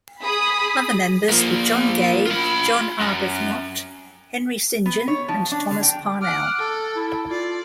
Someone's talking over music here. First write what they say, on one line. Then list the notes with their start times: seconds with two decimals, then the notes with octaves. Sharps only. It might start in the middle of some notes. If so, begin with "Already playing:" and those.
Other members were John Gay, John Arbuthnot, Henry Saint John and Thomas Parnell.
0.23 G#4 B5 D#6
1.29 F3 A#3
2.26 F4 B5
3.00 F#2
4.86 B3
5.08 C#5
5.28 F3
5.52 D4
5.71 D3
5.83 G5
6.22 F#5 D6 F6
6.58 A4
6.96 E4
7.30 F4 D5